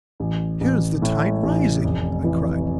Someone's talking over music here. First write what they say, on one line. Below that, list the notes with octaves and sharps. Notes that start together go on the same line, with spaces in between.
"Here is the tide rising," I cried.
A1
A1
A2
A1
F1
E3